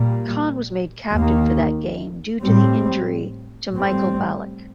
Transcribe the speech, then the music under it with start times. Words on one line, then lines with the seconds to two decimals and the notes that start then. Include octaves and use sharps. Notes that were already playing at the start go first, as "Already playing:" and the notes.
Kahn was made captain for that game due to the injury to Michael Ballack.
Already playing: A#2 G3 A#3
1.12 D#2 D#3 A#3
2.43 A2 G3 C4
3.73 A2 G3 C4